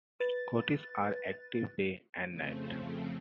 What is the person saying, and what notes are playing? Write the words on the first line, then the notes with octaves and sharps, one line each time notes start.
Coatis are active day and night.
B4 A6
F2 C#3 F3 A3 C4